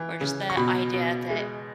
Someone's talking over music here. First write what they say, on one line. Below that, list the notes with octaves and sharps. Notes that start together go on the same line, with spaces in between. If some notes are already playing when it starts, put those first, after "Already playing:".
or just the idea that
Already playing: E3
C#3
C#6
B2 B5
B2
G#3